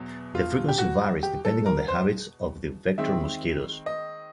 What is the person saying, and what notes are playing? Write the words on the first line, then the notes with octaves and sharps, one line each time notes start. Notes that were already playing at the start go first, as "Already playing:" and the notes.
The frequency varies depending on the habits of the vector mosquitos.
Already playing: E2 B2 F#3
F4
G4
F#4
G4
A4
A#4
C5
D#3 G#3 C4 E5
D#5